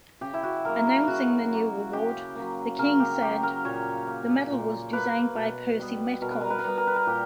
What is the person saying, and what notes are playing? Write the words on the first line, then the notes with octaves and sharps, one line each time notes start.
Announcing the new award, the King said: The medal was designed by Percy Metcalfe.
C#3 G4
E4
F#4
F#3 A#3 A#4
A#4
C#3 F#4
F#3 A#3
C#3 G4
F#3 A#3
C#3 A#4
G4
F#3 A#3 G4
A#4
A#2 C#5
A#3
A#2
A#3 B4
B2
G3 B3
B2 A#4
B4
A#4
B4
A#4
G3 B3 B4
A#4
B4
A#4
A#2 G4